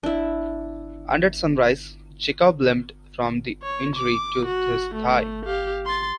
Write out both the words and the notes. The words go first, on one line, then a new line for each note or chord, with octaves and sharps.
And at sunrise, Jacob limped from the injury to his thigh.
D4 E4
C#5
D6
F#4
A3
G4 F5
C6 A6